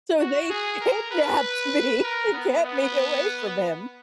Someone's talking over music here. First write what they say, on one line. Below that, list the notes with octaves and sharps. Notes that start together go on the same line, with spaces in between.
So, they kidnapped me to get me away from him.
F#4
G#4
A#4
B4
A#4
B3
B3